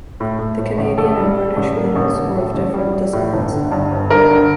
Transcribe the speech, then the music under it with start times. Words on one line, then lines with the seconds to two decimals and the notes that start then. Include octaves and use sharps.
The Canadian and British medals were of different designs.
0.20 A2
0.39 A2
0.59 A2
0.78 A1
0.98 A1 A4
1.17 G3
1.37 G3
1.56 A1
1.76 A#3
1.95 A1
2.15 A1
2.35 A2
2.55 A1
2.74 G3
2.93 G3
3.13 A2
3.33 G1
3.52 D3
3.71 G2
3.91 G1
4.10 G2 A#4
4.30 D3